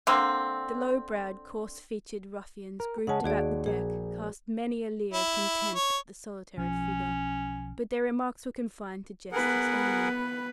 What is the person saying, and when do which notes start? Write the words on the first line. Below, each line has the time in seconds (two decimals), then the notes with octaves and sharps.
The low-browed, coarse-featured ruffians grouped about the deck cast many a leer of contempt at the solitary figure, but their remarks were confined to gestures only.
0.07 D3 A#3 C4
2.80 A#4
3.07 C#3 G#3 C#4 F#5 A5
3.24 D#2 F#4 G#4 D5
3.66 A#1 G#4
5.14 E4
5.75 C#5
6.58 B1 F3 C#4
9.32 B3 G#4 A#4 B4 F#5